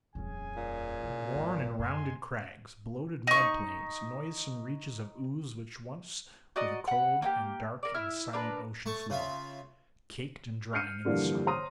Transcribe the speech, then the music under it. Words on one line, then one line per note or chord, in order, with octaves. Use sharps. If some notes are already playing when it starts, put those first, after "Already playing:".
Worn and rounded crags; bloated mud-plains; noisome reaches of ooze which once were the cold and dark and silent ocean floor, caked and drying in the sun.
D#1 F2 C#4 G#4 G#5
A#2
B2 E4
G#1
F#2 G#3 G#5 C6
D#4 C#6
F#4 D5 D#5 A#5
F#5 B5
A#3 D#4 G4
A#4 D5
E4 E5 F6
D4 A#4 B4 A5
A3 A5 C#6
C#3 F4 E5
F6 G6 C7 C#7 D#7
G2 D3 E3 F3 G3 A#3
C5 C#5 A#5 C6 D#6 D#7